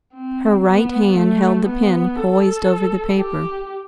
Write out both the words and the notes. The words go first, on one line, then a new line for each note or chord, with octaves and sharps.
Her right hand held the pen poised over the paper.
C4
B3
A3
B3
A4
G4